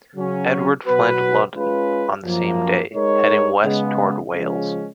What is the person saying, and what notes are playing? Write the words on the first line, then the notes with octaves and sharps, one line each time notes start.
Edward fled London on the same day, heading west toward Wales.
C#3 F#3 C#4
B2 F#3 B3 F#4 B4
G#3 C#4 F4 B4
F#2 F3 A#3
G#3 D#4 A#4 C#5
C#3 G#3 B3
C#3 F3 G#3 C#4